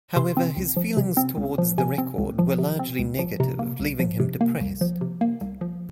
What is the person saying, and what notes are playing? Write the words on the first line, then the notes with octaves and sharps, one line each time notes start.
However, his feelings towards the record were largely negative, leaving him depressed.
C3 C6
C4
C#2
F3
C3
C4
C#2
F3
C3 G#5
C4
C#2
F3
C3
C4
C#2
F3
C3 A#5
A#3
C2
F3
C3
A#3
C2
F3
C3
A#3
C2
F3